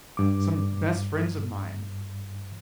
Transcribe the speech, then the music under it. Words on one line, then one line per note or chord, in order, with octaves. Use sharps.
some best friends of mine,
G2 D6